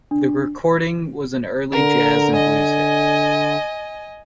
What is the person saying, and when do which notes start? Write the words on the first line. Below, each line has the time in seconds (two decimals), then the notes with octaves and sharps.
The recording was an early jazz and blues hit.
0.11 D4
1.72 D3 A#4
2.32 D#5 G#5